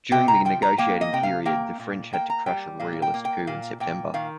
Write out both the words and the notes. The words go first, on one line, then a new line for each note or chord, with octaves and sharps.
During the negotiating period the French had to crush a royalist coup in September.
C3 G5
A#5
F3 G5
A#5
A#3 G5
D#5
C3 G5
F5
A#3 G5
A#2
A#3 G5
A#5
G3 G5
A#2 F5
G5
A#3
G5
A#2 F5
A#2 G5
D#3 F5